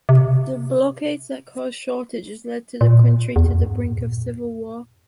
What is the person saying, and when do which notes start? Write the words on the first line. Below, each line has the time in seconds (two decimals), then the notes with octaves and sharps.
The blockades that caused shortages led the country to the brink of civil war.
0.09 C3
2.81 A#2
3.36 E2
3.49 F2
3.62 G2
3.76 G#2
3.89 A#2